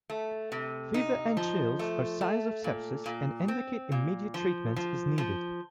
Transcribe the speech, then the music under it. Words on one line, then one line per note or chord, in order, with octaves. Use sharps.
Fever and chills are signs of sepsis and indicate immediate treatment is needed.
A3
C3
D#4
F3
A3
A3
A#2
A#2
C4
A#2
F3
F3
F3